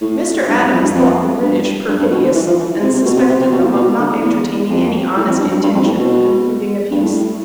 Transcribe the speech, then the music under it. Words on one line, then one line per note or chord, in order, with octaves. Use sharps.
Mr. Adams thought the British perfidious, and suspected them of not entertaining any honest intention of concluding a peace.
A2
G2
E2
F2
G2
F2
G2
G2
G2
B2
D3
E3
F3
E3
C3
C3
B2
C3
C3
C3
B2
A2
B2
D3
E2
E2
F2
A2
F2
G2
G2
G2
F2
A2
B2
G2
A2